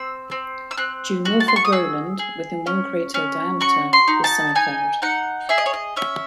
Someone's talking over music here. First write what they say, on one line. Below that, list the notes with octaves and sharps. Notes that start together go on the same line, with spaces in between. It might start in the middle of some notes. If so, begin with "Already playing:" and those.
Due north of Rowland, within one crater diameter, is Sommerfeld.
Already playing: C4 E6
C4
E6
C4 F#6
F#4
A5
C6
C#6
D#6
G#4 E6
G#4
C#4
C#4
F#4 C#6
C6
D#4
A5
D#4 G#5
D#4 F#5
G#4 E5
D#5
C#5
D#5
C#4 E5